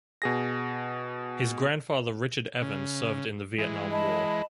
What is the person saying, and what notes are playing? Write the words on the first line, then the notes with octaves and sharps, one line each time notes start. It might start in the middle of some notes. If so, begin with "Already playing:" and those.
His grandfather Richard Evans served in the Vietnam War.
B2 G#4 A#6
C#3
E3 G#3
D#5 A5 B5